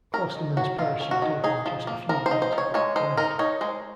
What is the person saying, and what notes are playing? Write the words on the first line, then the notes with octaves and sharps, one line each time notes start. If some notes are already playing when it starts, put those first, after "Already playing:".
Clostermann's parachute opened just a few yards above the ground.
C#4 A#4
D#3
F#3 F#4
D#3 F4
C#4
F#4
D#3
D#4 G#4
F3
A#3
F3 A#4
C5
D#4
C5
F3
C#5
G#3 C#5
G#3 C5
D#4 A#4
D#4 C#5
G#3 C5